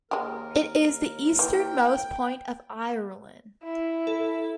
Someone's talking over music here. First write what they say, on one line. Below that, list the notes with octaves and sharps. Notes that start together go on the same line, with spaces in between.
It is the easternmost point of Ireland.
D#2 G#3 G4 A#4
E3 G5
E4
A4